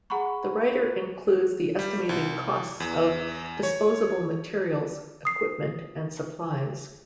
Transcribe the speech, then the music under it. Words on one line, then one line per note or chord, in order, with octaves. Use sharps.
The writer includes the estimated costs of disposable materials, equipment, and supplies.
G#4 F#5 A#5 B5 C#6
G3
C2
E2
C#5
D#6 C7